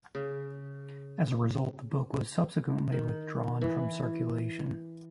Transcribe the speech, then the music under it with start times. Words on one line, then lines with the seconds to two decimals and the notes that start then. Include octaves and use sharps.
As a result, the book was subsequently withdrawn from circulation.
0.15 C#3
2.92 D#3
3.61 E3